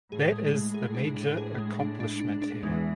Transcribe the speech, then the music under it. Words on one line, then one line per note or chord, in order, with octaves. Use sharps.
That is the major accomplishment here.
A2 G#4
G#3
G#3
G#4
D4
D4
G#4
G#3
D4
D4
D4
D4
E2 E3 G#3